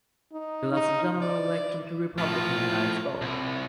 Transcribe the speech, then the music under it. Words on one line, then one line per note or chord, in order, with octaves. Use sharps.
He lost in the general election to Republican Nils Boe.
D#4
D#4
D5
A2 F3 F4
C2